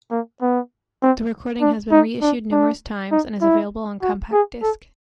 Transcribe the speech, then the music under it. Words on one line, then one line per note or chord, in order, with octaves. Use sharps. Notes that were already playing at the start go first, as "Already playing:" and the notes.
The recording has been reissued numerous times, and is available on compact disc.
A#3
B3
C4
D4
D#4
D4
D4
D#4
E4
F#4
G#4
A4